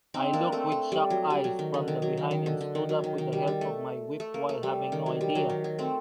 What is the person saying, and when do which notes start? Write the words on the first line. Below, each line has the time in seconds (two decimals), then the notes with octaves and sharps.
I looked with shocked eyes from the behind and stood up with the help of my whip while having no idea.
0.14 C4 D#4
0.33 A#3 D4
0.52 A3 C4
0.72 A3
0.92 G3
1.10 F#3
1.30 G3
1.44 F#3
1.59 D#3
1.74 D3
1.88 D#3
2.02 F#3
2.17 D#3
2.31 D#3
2.46 D3
2.61 D3
2.75 D#3
2.89 F#3
3.04 D#3
3.18 D#3
3.33 G3
3.47 G3
3.61 A3
4.20 A3
4.34 A#3
4.49 A3
4.63 G3
4.92 D#3
5.06 F#3
5.21 G3
5.35 F#3
5.50 D#3
5.64 F#3
5.79 A3 C4